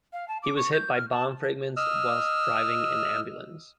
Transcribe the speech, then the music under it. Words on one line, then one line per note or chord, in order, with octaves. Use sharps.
He was hit by bomb fragments whilst driving an ambulance.
F5
A5
D6
C#6
G6
F6
A5
D#5 E6 F6